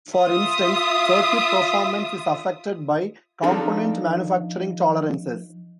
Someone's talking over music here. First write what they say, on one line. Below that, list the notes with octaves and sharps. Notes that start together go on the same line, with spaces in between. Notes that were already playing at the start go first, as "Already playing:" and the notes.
For instance, circuit performance is affected by component manufacturing tolerances.
F4 E5 D#6
F3 C4 D4 D#4 A4 A#4